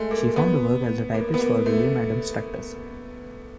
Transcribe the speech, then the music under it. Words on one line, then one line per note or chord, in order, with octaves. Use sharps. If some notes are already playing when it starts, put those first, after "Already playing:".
She found work as a typist for William Adams Tractors.
Already playing: G#3 A3
A#3
B3
A#3
B3
A#3
A3